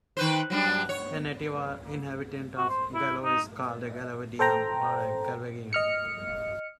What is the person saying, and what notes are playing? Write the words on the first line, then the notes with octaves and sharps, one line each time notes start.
A native or inhabitant of Galloway is called a Gallovidian or a Galwegian.
D#3 B4 C5
F#3 G3 D4
C#5
F#4
C5
E4
D#4
A4 C5 G5 A#5
D#5 F6 C#7